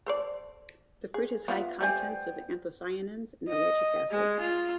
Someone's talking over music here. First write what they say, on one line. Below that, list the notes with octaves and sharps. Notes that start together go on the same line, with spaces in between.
The fruit has high contents of anthocyanins and ellagic acid.
A4 C5 D5
G#4
B3 F4 E5 F#5
G3 A3 B3 C5 G5 G#5
D#5
G#3
F4